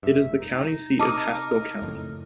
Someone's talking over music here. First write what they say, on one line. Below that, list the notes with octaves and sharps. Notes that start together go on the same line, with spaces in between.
It is the county seat of Haskell County.
F1 G2 E5
D#4
C3 D#4 A#4 A5 D6 D#6
F#1 F2 A2